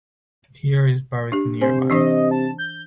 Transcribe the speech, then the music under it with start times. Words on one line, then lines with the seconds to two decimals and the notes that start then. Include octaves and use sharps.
Heer is buried nearby.
1.32 D4 G4
1.61 C3 C5 G#5
1.90 E3 D4 C5 D#5
2.31 A5
2.58 G6